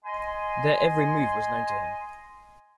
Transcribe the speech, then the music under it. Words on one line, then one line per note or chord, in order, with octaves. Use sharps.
Their every move was known to him.
D#5 G#5 C6